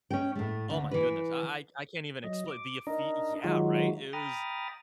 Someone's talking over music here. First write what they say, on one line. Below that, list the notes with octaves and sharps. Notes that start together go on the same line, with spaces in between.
oh my goodness, I I I can't even explain the ephe Yeah, right? It was,
C#4 G5
A2 A3
D2
E3 B4
F#3 D#5
D6
D4 D#4 A#4 D#5
D#3 F#3 G#3 D#4 F4 F#4
G5 A#5 B5 D#6 F6 A6